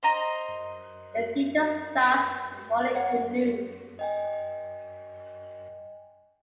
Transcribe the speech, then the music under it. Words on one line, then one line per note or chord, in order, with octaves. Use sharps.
The theater starts from morning til noon.
C5 D#5 A#5
B4
C#5 F#5
D#5 G5 G#5